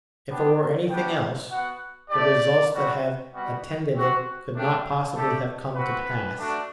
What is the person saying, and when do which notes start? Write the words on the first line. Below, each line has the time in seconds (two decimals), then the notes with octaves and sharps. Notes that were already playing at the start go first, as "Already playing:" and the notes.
If it were anything else, the results that have attended it could not possibly have come to pass.
0.29 B3 D4 G4
0.89 G3 B3 D4 F#4 G5
1.50 B3 F#4 F#5
2.10 A3 D4 G4 D5
2.72 G3 C4 F#4
3.33 G3 B3 F#4
3.94 C4 F#4
4.54 A3 D4 G4
5.14 A3 D4 G4 A4
5.75 C4 F#4 B4
6.36 A3 D4 F#4